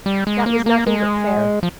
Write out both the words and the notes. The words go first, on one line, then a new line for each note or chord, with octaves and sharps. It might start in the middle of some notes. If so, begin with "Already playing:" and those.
That was nothing but fair.
G3
G#3
A#3
A#3
G#3
F3